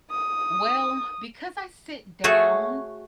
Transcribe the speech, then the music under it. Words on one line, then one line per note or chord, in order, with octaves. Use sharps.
Well, because I sit down
D#6
A3 F#4 G#4 A4 C#5